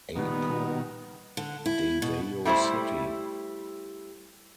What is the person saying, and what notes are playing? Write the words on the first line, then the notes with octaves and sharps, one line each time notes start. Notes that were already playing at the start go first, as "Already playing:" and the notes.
Apo, Davao City.
A#2 D#3 G3 B3
D3
E4
B2
G3 A3 E4 G4 C5